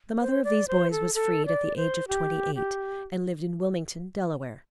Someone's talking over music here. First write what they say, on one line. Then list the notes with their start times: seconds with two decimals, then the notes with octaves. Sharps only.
The mother of these boys was freed at the age of twenty-eight, and lived in Wilmington, Delaware.
0.21 C5
0.44 D5
0.68 C5
0.91 A4
1.14 A4
1.46 D5
1.76 C5
2.08 G4
2.55 G4